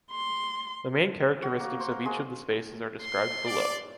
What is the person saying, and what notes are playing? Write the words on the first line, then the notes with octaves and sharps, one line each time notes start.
The main characteristics of each of the spaces are described below.
C6
F#4
A#3
C5
A#4
G#3
C6
D5